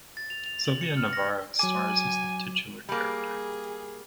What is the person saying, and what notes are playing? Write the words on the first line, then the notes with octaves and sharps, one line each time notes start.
Silvia Navarro stars as the titular character.
A6
F7
F7
F#7
C#7
F6
A#6
F#3 G#5 D6
G3 A#3 G#4